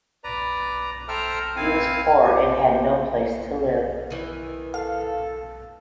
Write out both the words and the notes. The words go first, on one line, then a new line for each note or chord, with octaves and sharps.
He was poor and had no place to live.
B4 D5 A#5
A4 C5 E5 G5 A#5 F6
C4 E4 F5 G#5
F4 G4 C5 D6
D#3 E3
A4 F5